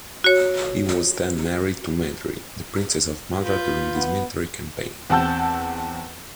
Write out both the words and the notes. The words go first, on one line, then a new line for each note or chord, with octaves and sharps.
He was then married to Madri, the princess of Madra during this military campaign.
F#4 C#5
F4 B4 G6
B3
E2 C4 F#5 A5 E6 G6